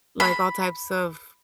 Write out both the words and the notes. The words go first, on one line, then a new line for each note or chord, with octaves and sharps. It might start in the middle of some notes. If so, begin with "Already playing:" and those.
like, all types of
B5